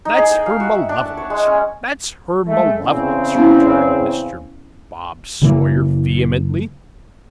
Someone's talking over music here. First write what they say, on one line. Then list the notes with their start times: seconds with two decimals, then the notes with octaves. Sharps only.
'That's her malevolence--that's her malevolence,' returned Mr. Bob Sawyer vehemently.
0.05 D#4
0.18 G#4
0.31 G5
0.46 F5
0.60 F#4
0.75 E5
0.89 D4
1.06 A5
1.17 C#5
1.30 G#3
1.47 C#4
2.47 G#3 A3
2.79 E2 C#3 C4
3.35 B3 C#4 E4
5.42 F#1 C#3 E3 A#3